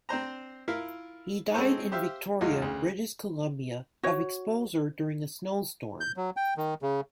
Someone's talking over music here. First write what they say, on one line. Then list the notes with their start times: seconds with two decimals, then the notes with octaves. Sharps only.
He died in Victoria, British Columbia of exposure during a snowstorm.
0.09 C4 D4 C5 A#5
0.68 E4 F4 A#4 E5 F5
1.54 G#3 C4 C#4 A4 C5 C#5
1.92 G4 C5 E5 F5
2.41 E2 G#2 D#4 F4 F#4
2.62 D2 C#3
4.03 F#4 C#5
6.00 G6
6.17 F#3
6.37 G5
6.57 D#3
6.82 C#3